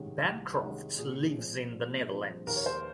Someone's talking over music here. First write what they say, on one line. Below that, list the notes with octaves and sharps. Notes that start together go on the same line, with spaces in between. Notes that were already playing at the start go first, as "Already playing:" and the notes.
Bancroft lives in the Netherlands.
Already playing: C2 C3 D#3 G#3 C#4
C2
C3 D#3 G#3 C#4
A#2 G#4
F3 G#3 C4
A#2
F3 G#3 C4
D#2 A#4
C#5
C5